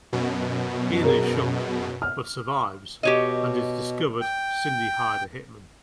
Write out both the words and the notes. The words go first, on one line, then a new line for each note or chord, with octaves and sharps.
Ian is shot, but survives and is discovered Cindy hired a hitman.
F#2 B2
G#4 A#4
F6
B2 G4 C#5 D#5
G5